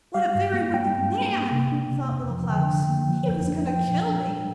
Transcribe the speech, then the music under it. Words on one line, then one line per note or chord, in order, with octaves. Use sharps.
'What a very wicked man!' thought Little Klaus. 'He was going to kill me!
G3 F5
G2
A#3
G3 G5
G2
D4
A#3
C3
D4
C3
F2
F3
D3 G5
D4
A#3
F3
F2
D4
F3 G5
A#2
D4
G3